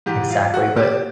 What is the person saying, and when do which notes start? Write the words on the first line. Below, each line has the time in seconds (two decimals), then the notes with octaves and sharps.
Exactly, but,
0.06 G#2 E3 G4
0.30 F4
0.54 F#4
0.77 G4